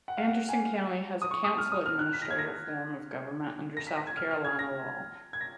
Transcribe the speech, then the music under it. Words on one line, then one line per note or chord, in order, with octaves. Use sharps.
Anderson County has a Council-Administrator form of government under South Carolina law.
F#5
F5
F#5
G#5
D#6
C#6
D#6
F6
D#6
F6
F#6
B6
A#6
G#6
A#6
A#6
B6
A#6
G#6
F6
F6
G#6
A#6
G#6
A#6